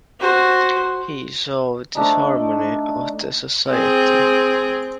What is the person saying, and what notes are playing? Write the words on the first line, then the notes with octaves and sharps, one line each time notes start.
He saw disharmony of the society.
F#4 C5
A3 D4 D#4
C4 G#4